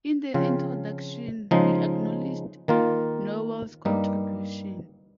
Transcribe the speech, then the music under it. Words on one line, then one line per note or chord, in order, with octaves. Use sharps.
In the introduction he acknowledged Nowell's contribution.
C#3 F3 C4 F4
C#3 F3 G#3 D#4
D#3 A#3 F4
G2 G3 A#3 D#4